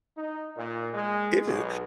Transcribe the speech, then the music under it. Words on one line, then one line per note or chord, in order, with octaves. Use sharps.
it ju
D#4
A#2
G#3
B1